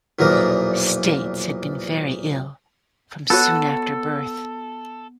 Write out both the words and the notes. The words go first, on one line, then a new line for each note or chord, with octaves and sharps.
States had been very ill from soon after birth.
B1 E2 A#2 F3 A#4
B3 F#4 A4 C#5